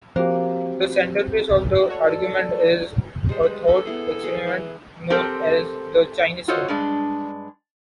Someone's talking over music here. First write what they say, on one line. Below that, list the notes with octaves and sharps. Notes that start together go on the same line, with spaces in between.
The centerpiece of the argument is a thought experiment known as the Chinese room.
F3 A#3 C4 F#4 G4 C5
F#4 A4 C#5 D5
G3 G#3 C5
B4
A4 D#5 B5
B3 E4 G#4
G#4 B4
E3
C4 G4 A4 A#4 C5
F4 F#4 A4 C5 C#5 D#5
G2 G#3 D4